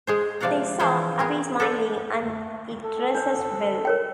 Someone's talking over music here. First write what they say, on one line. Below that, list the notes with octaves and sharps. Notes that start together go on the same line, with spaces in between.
They saw Abiy smiling and he dresses well.
G#3 G#4 C5
C3 F3 D5 F5 F#5 A#5
E3 F3 G#4 C5 F5 G5
B3 G#4 A#4
A4 C5 D5
A3
A4
D4 C5
A#4 C#5 G5